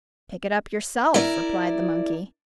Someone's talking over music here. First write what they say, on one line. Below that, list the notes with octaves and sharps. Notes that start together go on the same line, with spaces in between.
"Pick it up yourself," replied the monkey.
E4 A#4 D5